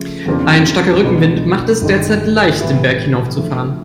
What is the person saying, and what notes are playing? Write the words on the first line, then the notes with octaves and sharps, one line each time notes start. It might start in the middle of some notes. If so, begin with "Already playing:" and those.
Ein starker Rückenwind macht es derzeit leicht, den Berg hinaufzufahren.
Already playing: C#3 F3 A3
F2 C#3 F3 A#3 D4
B2 G#3 B3 D4
G1 G2 D#3 G#3
A2 E3 G3 B3 E4
D3 F3 A3